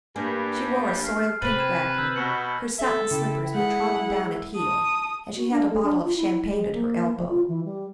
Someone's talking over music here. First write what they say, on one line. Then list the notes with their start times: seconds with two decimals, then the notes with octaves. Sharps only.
She wore a soiled pink wrapper, her satin slippers were trodden down at heel, and she had a bottle of champagne at her elbow.
0.16 G2 A#3 G#5
1.04 F6 C7
1.42 C3 C4 B4 A6 D#7 F#7
1.59 B5 G#6 E7
1.97 A#5 E6 G6
2.16 B2 C#6 C#7
2.79 A4 E5
3.11 C#3 E4 G5
3.55 G#3 G#4 F#5
4.56 A5 D#6
5.36 F#4
5.51 D4
5.70 A3
5.83 D4
6.05 F4
6.16 E4
6.48 G#3
6.74 A#3
7.17 F3
7.28 F4
7.48 E3
7.65 G3